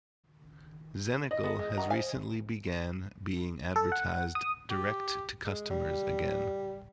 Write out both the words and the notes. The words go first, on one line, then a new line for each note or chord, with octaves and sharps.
Xenical has recently began being advertised direct-to-customers again.
D#5
B3 G#4
G#3
D#3 E3 F#5 A#5
C5 F5 G#5
A4
F#5
D#6
G4
G#3
G3